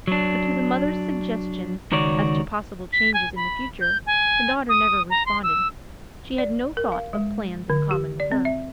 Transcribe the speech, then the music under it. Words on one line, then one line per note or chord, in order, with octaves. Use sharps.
But to the mother's suggestions as to possible changes in the future, the daughter never responded: she had no thought of plans in common with her.
F#3 D4
C#2 D#3 F#4 C#5 D5
B6
G#5
B5
G6
G#5
D#6
A#5
C6
E6
D5
A#4
F5
G#3
D3
G4
D5
C4
E5